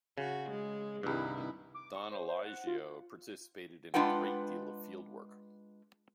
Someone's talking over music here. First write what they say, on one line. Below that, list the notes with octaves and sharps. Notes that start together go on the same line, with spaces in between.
Don Elijio participated in a great deal of field work.
C#3 F#4
G#3
C2 G2 D#3 E4
D6
C#6
C5
C5
F#5
F4
G#3 D4 F4 B4 F#5 G5